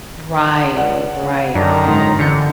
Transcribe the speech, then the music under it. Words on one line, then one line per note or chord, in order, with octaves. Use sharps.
Right, right,
C#2 D5 F#5
C#3
F#2 D3 D#3 D4 A#5
F1 G#2 D#4 C6
A1 D3 G6 C#7